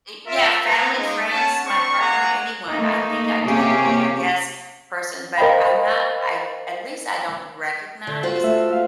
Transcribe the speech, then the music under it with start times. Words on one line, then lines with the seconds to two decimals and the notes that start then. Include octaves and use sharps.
Eh yeah, family, friends, my partner, anyone; I think I tend to be a "yes" person, but I'm not I at least I don't recognize
0.26 F4 A#4 E5
0.65 B3 B4 C5 A#5
0.96 G#3 A#3 D#4
1.31 C#4 F#5 A5
1.65 C4 D4 C#6
2.00 A#3 G#4 F#5 G#5 A#5
2.70 A3 A#3 D#4
3.45 C3 A#3 C#4 G4 G#4
5.38 A#4 C5 D#5 F5 G5 B5
8.07 D3
8.23 F4 F#4 C5
8.44 A3 E5
8.72 F5